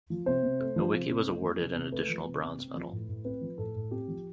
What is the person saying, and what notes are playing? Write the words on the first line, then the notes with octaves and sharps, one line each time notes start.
Nowicki was awarded an additional bronze medal.
F3
C3 C5
C3
A3
F3
C3
C3
A3
F3
C3
C3
A3 B4
F3
C3
C3
C4
F3
A2
A2
C4 B4
F3
A2 A4
A2
C4 G4
F3